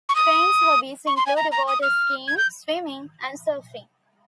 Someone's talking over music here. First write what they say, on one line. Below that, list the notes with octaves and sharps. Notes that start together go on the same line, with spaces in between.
Crane's hobbies include water skiing, swimming and surfing.
C#6
D#6
C#6
C6
G#5
A#5
A#5
D#6
F6
G#6
G6